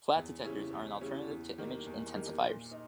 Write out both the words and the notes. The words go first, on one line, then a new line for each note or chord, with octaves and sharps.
Flat Detectors are an alternative to Image Intensifiers.
E2
C#3 G3 C#4 E4
E2
C#3 G3 C#4 E4
E2
D#3 G3 A#3
E2
D#3 G3 A#3
A#2
D#4